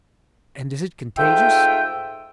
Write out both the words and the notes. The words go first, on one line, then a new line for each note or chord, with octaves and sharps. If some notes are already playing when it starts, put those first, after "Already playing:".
"And is it contagious?"
G#2 A3 F4 E5 G5